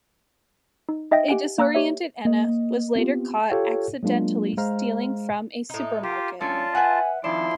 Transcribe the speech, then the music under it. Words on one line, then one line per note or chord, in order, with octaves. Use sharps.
A disoriented Ena was later caught accidentally stealing from a supermarket.
D#4
D#4 D#5 E5 G5 A#6
G4 F#5 G#5 D7
A#3 A#5 E6 F#6
G4 C#5 D5 E5
A#3 D#5
B3 C4 F4 G4
F4 G4 A4 C#5 F5 G5
F#3 G#3 A#3 D4 F4
G#3 C5 F5 A#5 F6
A2 D#4
A#3 F4 G4
F#2 D3 C#4 F4 D5 A5
B4 E5 F#5 G#5
F2 D#3 F3 E4 D5 A5 C6